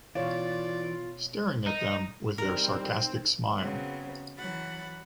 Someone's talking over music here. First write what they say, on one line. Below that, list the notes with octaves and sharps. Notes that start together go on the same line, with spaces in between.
Staring at them with their sarcastic smile.
B2 E3 F4 C#5 D5 F5
D#4
G3 C4 D#4 A#4
C#3 F#3 B3 C4
E3 F#3 F#5 B5 A6